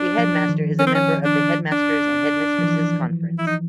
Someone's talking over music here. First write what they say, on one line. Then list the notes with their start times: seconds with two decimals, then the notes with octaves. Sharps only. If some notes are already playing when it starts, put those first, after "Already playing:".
The Head Master is a member of the Headmasters' and Headmistresses' Conference.
Already playing: D4
0.18 F3
0.49 D#3
0.79 C#4
0.87 C4
0.95 C#4
1.25 D4
1.72 D4
2.58 F3
2.64 E3
3.39 E4
3.47 D#4